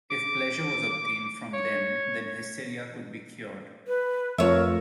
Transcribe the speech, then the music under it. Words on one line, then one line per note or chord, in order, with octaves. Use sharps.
If pleasure was obtained from them then hysteria could be cured.
D6
C#5
B4
F2 A3 F4 A#4 C#5 E5